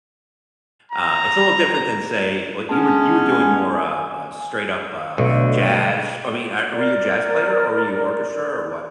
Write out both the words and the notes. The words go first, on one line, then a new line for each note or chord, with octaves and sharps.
Uh, it's a little different than, say well, you were, you were doing more, uh, uh, straight up, uh, jazz. I mean, uh, were you a jazz player, or were you orchestra, or what?
A#5
G#3 B3 C#4 A5
G#5
B1 B2 D3 A3
A#4 D5